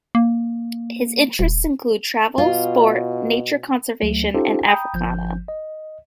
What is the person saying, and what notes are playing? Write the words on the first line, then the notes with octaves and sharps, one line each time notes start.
His interests include travel, sport, nature conservation and Africana.
A#3
D#1
B2 F4
D2 F#3 A3
C#4 D#4 F4 G4 A4 C5
G5 A#5 B5 D#6 G6
G1 F3 G6
D#5